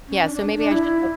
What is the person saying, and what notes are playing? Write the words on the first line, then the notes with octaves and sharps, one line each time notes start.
Yeah, so, maybe I should g
C#4
D4
D4
D4
E4